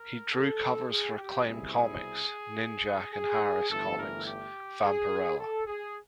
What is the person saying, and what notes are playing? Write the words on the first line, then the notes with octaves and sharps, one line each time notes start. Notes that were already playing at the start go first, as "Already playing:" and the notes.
He drew covers for Acclaim Comics' "Ninjak" and Harris Comics' "Vampirella".
Already playing: A#4
A4
G#4
G4
C2 B2 G3 C4 E4 G#4
G#4
G1 G2 E3 A3 A4
A#4
G4
G#4
A4
G#4